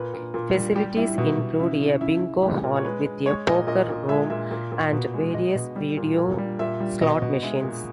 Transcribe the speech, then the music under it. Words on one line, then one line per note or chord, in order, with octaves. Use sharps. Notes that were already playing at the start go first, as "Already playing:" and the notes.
Facilities include a Bingo Hall, with a Poker Room and various video slot machines.
Already playing: A#2 B4
A#2
A#2
G3
G3 G4
G3 E4
B2 E4
B2
C#3 E4
C#3
C#3 E4
C#3
G#3 G4
A#2
C#5
G#3 B4
G#3
G#3 C#5
A#2 D#5
A#2 D#5
A#2
G#3 E5
A#2 E5
A#2
A#2
B2
G#3
B2 D#5
B2
G3
A#2
A#2
G3
A#2 E5
G3
B2 D#5
B2
G#3 E5
A#2